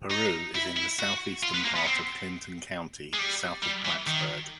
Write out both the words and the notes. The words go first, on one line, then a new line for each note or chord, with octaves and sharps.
Peru is in the southeastern part of Clinton County, south of Plattsburgh.
D#4
E4
E4
F#4
F4
B3
A#3
B3
C4
G#3
G3
G3
E3
D#3